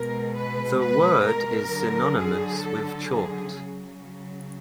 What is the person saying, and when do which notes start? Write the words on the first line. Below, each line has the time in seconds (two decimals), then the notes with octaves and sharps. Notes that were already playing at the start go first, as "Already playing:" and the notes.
The word is synonymous with chort.
Already playing: B2 G#3 A#4
0.33 B4
0.79 B4
1.25 A#4
1.70 D3 F#3
2.16 G#4
2.61 A4
3.07 G#4
3.53 C#3 F#3